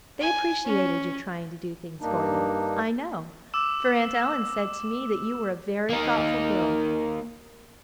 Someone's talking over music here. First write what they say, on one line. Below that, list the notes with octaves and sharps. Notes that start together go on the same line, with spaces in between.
They appreciated your trying to do things for them, I know, for Aunt Ellen said to me that you were a very thoughtful girl.
G#5
C#4
G2 A#3 D4 D#4
D6 E6 E7
A#3 D#4